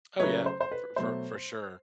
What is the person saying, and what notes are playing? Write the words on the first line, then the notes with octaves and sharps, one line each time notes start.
Oh, yeah, for for for sure,
C#3 F#3 A3 B4 C#5
C5
C5
B4
B2 F#3 A3 C5